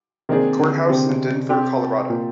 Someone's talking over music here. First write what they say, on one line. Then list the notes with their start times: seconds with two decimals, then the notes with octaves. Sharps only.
Courthouse in Denver, Colorado.
0.29 C3 D#3 A#3 D4 G#4
0.59 D3
0.89 C3
1.49 C4 G4 D5
2.09 A#2